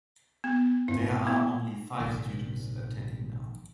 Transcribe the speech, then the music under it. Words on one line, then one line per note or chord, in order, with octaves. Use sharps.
There are only five students attending now.
B3
G#1 E4
B3 E4
A#1 G#2 C3 D#3